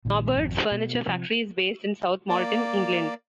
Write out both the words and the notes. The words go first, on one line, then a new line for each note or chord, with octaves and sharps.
Norbord's furniture factory is based in South Molton, England.
A#1 A#2 D#3 G#3
G#1 F2 B2
B2
C3 F3
A#3 D5